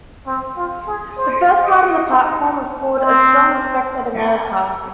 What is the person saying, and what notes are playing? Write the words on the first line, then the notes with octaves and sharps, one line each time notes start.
The first part of the platform was called "A Strong, Respected America".
C4
F4
G#4
C5
D#5
D#4
C4